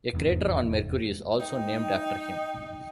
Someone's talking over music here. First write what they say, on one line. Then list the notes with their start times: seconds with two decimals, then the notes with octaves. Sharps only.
A crater on Mercury is also named after him.
0.13 F1 E2 G#2
1.40 D#4 G5